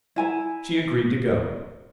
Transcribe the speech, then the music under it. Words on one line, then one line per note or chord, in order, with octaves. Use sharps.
She agreed to go.
E4 G#5 A#5